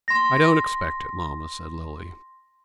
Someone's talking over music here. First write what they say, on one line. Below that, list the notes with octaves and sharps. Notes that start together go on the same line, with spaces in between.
"I don't expect it, mamma," said Lily.
C6 A#6